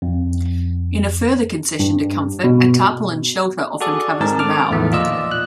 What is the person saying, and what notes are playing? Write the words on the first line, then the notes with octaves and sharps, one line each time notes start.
In a further concession to comfort, a tarpaulin shelter often covers the bow.
F2
G2
B2
F#4 G#4 A4 D5
G#2 D#3 C4 A#4 A5
A4 D6 F6
E2 A2 D#3 F3 A3 B3
A#2 F4 D5 D#5 E6
F#6